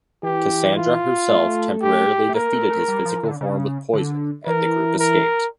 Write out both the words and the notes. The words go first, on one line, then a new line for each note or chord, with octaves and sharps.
Cassandra herself temporarily defeated his physical form with poison, and the group escaped.
E3 G4
F4
A3
G4
A3
A#3 A#4
A3
A3
G3
F3
D3
C#3
D3
E3 A#4
A#4